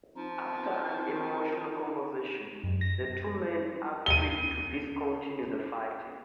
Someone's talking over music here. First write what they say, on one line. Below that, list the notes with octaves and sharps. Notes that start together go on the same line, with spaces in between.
After an emotional conversation, the two men agree to discontinue the fighting.
F3 C4 D#4
F#2
A#6
D#7 G7